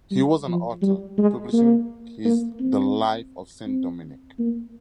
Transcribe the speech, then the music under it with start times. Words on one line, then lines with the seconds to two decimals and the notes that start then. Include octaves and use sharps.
He was an author, publishing his "The Life of Saint Dominick".
0.11 G3
0.47 F3
0.82 G3
1.18 G#3
1.53 A#3
2.25 A#3
2.60 C4
3.67 C4
4.39 A#3